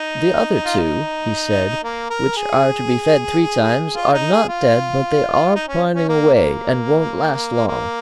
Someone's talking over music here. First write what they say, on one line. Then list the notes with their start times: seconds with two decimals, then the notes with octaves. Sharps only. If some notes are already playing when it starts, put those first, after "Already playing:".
'The other two,' he said, 'which are to be fed three times, are not dead, but they are pining away, and won't last long.'
Already playing: D#4
0.66 F4
0.77 D#4
1.84 A#3
2.10 A#4
2.37 G#4
3.96 F4
4.13 D#4
4.31 G#4
4.49 F4
5.55 D#4
5.69 C#4
5.95 C#4
6.08 A#3
6.35 A#3
7.68 A#3